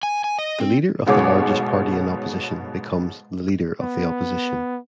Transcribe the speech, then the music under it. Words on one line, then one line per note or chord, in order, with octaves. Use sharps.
The leader of the largest party in opposition becomes the Leader of the Opposition.
G#5
G#5
D#5
C4
G1 G#2 B2 G#4 C#5 D6
B3